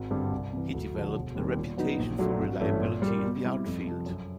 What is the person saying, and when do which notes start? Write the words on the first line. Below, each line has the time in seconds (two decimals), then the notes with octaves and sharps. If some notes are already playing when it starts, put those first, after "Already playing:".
He developed a reputation for reliability in the art field.
Already playing: G#1
0.11 G2 D3 G3 C4
0.31 C2
0.53 C3 E3
0.73 D2
0.94 D3 F3
1.14 E1
1.35 D#2 D#3 G3 C4
1.56 A#2
1.77 F#3 B3 D#4
1.99 A#1
2.19 A#2 F#3 A3 D4
2.39 G#1
2.60 G2 E3 A3 C#4
2.82 A#2
3.02 G3
3.07 A#3
3.23 B2
3.45 G3 C4 E4
3.66 F2
3.85 C3 F3
4.06 F#2